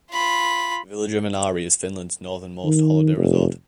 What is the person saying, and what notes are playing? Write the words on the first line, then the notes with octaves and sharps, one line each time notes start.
The village of Inari is Finland's northernmost holiday resort.
F4 B5
D#3
F1